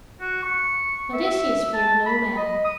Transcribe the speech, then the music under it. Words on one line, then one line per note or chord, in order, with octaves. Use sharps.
Odysseus feared no man.
F#4
C#6
E5
A5
B5
D#5
D#6